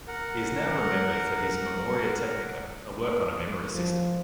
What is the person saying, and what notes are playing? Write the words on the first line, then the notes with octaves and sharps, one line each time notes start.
He is now remembered for his "Memoria Technica", a work on a memory system.
A#4 F#5
F3